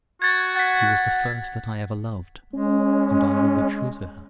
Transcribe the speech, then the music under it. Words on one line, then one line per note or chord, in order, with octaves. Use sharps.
"She was the first that I ever loved, and I will be true to her."
F#4 G#6 A6
F#5 A6 B6
G#3 C#4